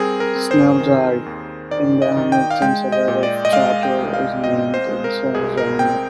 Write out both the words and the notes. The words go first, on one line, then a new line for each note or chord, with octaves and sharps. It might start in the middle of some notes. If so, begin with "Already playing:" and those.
Snell Drive, in the Hamilton suburb of Chartwell, is named in Snell's honour.
Already playing: G3 C4 G#4 A#4
A#4
C4
C5
D#3
D#2
D#3 D5
D#5
D#3
G5
F5
G#3 G5
D#5
A#2
D5
D#5
G#3 F5
G5
C2
F5
C4 D#5
C5
G#3
A#4
C2 G#4
A#4
C4 G5